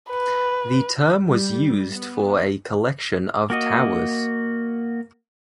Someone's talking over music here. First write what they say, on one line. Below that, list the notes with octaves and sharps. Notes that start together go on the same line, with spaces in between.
The term was used for a collection of towers.
B4
G3
B3
A#3 F#4 D#5